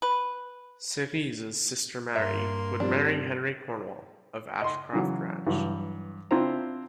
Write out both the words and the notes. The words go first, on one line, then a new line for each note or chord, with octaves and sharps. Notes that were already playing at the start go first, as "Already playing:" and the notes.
Cerise's sister Mary would marry Henry Cornwall of Ashcroft Ranch.
B4
G2 A#3 E5 C6
F3 G3 C4 D4
D#5 C6
C#3 E3 F#3
G2 E3 F#3
C4 D4 E4 F4 C5 A#5